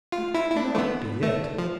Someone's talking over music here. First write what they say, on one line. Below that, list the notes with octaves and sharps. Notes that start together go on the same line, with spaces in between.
That could not be it.
F4
E4
E4
D4
A3
B3
A3
F3